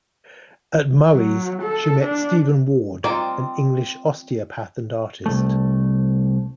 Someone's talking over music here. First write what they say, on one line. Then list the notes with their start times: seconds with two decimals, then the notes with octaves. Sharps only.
At Murray's she met Stephen Ward, an English osteopath and artist.
1.13 F#3
1.62 A4
2.05 D4
3.04 C4 D#4 F4 D5
5.26 C2 F2 A3